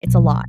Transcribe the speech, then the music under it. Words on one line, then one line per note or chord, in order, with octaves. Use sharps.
it's a lot.
B1